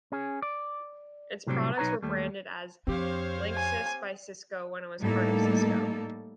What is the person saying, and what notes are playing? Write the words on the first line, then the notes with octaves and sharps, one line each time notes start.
Its products were branded as Linksys by Cisco when it was part of Cisco.
C#4 G#4
D5
A2 C3 F#3 G3 C4
B1 D#4 B4 C#5 A#5
D#2 G3 A3
F2 C4 D4 G4 C5 C#5 F5
G#5
A2 G3 A#3 D#4 A4